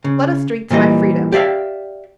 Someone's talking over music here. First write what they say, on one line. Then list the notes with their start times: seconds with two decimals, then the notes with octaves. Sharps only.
Let us drink to my freedom.
0.04 C#3
0.70 A#2 E3 G3 D#5
1.32 G4 D5 E5 F5